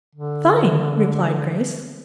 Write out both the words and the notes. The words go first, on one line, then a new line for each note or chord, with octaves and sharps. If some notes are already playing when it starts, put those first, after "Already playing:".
"Fine," replied Grace.
D3